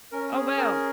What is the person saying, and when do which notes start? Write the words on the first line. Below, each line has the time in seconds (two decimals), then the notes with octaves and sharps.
Oh wow.
0.12 C#4 A#4
0.34 G#4
0.57 C#4 A#4